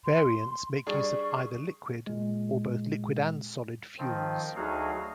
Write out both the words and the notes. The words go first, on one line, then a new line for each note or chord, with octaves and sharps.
Variants make use of either liquid or both liquid and solid fuels.
C6
G3 D4 G#4 C#6
A#2 G#3
D#3 F3 C4
D2 F#3 D#4 F#4 G#4 F5